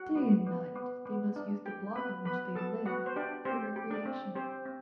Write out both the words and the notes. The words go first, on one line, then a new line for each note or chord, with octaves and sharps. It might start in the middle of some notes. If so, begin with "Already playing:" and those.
Day and night they must use the block on which they live for recreation.
Already playing: F#4 F#5
B3
B3
B3
B3
D4
G4 G5
B3 B4 B5
B3 B4 B5
B3 A4 A5
B3 F#4 F#5
C5
D4 G4 D5
C4 G4 C5
G4
D4 D5
C4
C4 G4 C5
C4